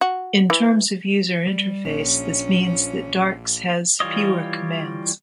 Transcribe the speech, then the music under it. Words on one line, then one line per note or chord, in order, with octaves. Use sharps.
In terms of user interface, this means that Darcs has fewer commands.
F#4
E3
G3
A#1 C#4
E3 G3 F4 C#5 D#5